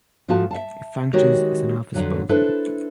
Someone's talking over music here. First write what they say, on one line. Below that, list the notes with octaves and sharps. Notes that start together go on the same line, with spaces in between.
It functions as an office building.
G#2 F3 A3 F4 F#4 A5
E5 F5 A5
D#3 G#3 F#4 G4 C#5
F2 B2 D3 F#3
D4 E4 A4 B4 C5